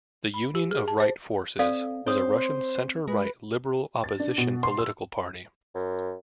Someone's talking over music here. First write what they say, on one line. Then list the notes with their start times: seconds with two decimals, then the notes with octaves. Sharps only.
The Union of Right Forces was a Russian centre-right liberal opposition political party.
0.34 B5
0.55 G4
0.71 G#4
0.88 A5
1.00 C5
1.59 C4 A4 D5 F5
2.07 C4 C5 C#5 D#6
3.08 G#3 B4
4.04 A6
4.20 D4
4.38 B2
4.63 C6
4.78 E6
5.75 F#2